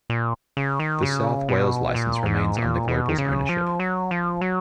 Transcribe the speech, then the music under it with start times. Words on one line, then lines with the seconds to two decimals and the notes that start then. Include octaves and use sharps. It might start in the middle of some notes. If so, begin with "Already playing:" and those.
The South Wales licence remains under Global's ownership.
0.10 A#2
0.57 C#3
0.80 D#3
1.03 C#3
1.49 B2
1.94 A#2
2.26 G#2
2.57 A#2
2.88 B2
3.09 D#3
3.18 C#3
3.49 F3
3.80 F#3
4.11 F3
4.41 F#3